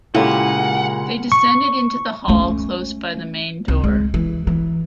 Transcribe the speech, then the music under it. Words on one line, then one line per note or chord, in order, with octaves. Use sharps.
They descended into the hall close by the main door.
A#2 C#3 G#3 E4 G4 A4 C#5 F#5
C#6
A3 C#4
C2
G#3
E3
E3